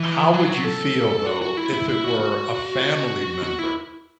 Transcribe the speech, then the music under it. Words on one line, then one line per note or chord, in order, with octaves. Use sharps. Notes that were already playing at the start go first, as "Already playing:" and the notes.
how would you feel though if it were a family member
Already playing: E3
F#3
A4
F#4
F#4
E4
E4
E4
F#4
F#4
F#4
F#4
E4